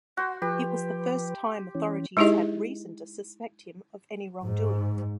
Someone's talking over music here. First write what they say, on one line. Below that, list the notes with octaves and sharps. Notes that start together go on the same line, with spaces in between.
It was the first time authorities had reason to suspect him of any wrongdoing.
F#4 C5 F#5
F3 G4 B4
E3 C#4
G#3 D#4 E4 G4 G#4 D#5
G#2